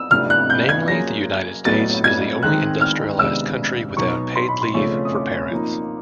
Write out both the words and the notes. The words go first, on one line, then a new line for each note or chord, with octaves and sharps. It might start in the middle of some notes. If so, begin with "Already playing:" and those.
Namely, the United States is the only industrialized country without paid leave for parents.
Already playing: D#6 E6
C3 F3 A3 D4 F6
F#6
G6
G#6
F#3 A#3 C#4 F4 G#4 A#6
A2 F#3 B3 A6
G#6
D#3 G#3 C4 D#4 F#6
F6
C3 D#3 G#3 B3 D4 E6
B2 F#3 B3 D#4 C#6
C6
B5
C6
C#3 F3 A3 C#4 C#6
D#6
D6
F3 A#3 D#4